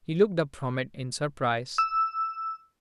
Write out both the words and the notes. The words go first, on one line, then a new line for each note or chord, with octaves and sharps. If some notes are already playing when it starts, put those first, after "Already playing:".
He looked up from it in surprise.
E6